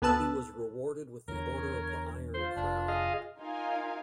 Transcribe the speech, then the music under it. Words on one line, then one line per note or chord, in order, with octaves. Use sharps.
He was rewarded with the Order of the Iron Crown.
D2 B3 B4 A5 E6 F#6
E2 D3 A#4 C#5
F4 C5
F1 D4
G#4 D#5 F5
D#4 F4 A#4 F5 G#5